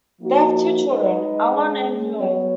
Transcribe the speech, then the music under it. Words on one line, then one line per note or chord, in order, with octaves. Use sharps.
They have two children, Alon and Yoav.
F3 A#3 D#4 F#4
G#3 D#4 G#4 B4 D#5
G#3 C#4 G#4
F#3 B3 F#4 C#5